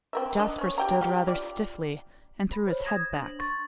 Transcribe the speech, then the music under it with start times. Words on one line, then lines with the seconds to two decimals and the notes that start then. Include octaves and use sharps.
Jasper stood rather stiffly, and threw his head back.
0.13 C4 A#4 E5
0.39 D4 D#5
0.58 C#4 C#5
0.78 G4 G5 A#5
1.01 F4 G4 G5
1.27 F4 D5
2.53 B5
2.67 C5 C#5
2.84 D#6 G#6 A#6 E7
3.12 D4 F#7
3.39 C6 C#6 A6